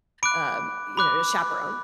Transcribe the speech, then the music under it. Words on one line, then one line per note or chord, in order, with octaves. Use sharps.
um, you know, a chaperone.
B5 D6 F#6 D7
B5 D6 F#6